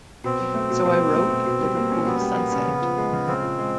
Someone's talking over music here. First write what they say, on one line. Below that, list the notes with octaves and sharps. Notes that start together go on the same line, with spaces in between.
So I wrote 'Liverpool Sunset'.
B2 C4
F#3
A3
B2
B2
F#3
A3
B2
B2
G3
A#3
C#4
B2 B3
G3
A#3
C#4
C#3
F3
G#3
C#3
C#3 C4
F3
G#3